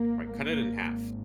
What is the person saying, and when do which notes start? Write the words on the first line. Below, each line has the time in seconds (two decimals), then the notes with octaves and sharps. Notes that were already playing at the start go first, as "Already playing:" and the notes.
right? Cut it in half.
Already playing: G#1 G#2 A#3
0.48 A#3